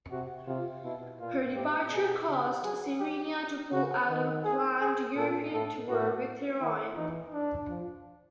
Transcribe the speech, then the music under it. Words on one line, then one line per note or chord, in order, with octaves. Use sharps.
Her departure caused "Sirenia" to pull out of a planned European tour with "Therion".
C3 F#4
C3 F4
B2 E4
A#2 F4
A2 G4
B2 G#4
C#3
F#3 G#4
G4
C#3 F#4
D#3
G#4
G#4
A#2 A4
A2 A4
A2 F#4
D#3 E4
E3 D#4
D4
F3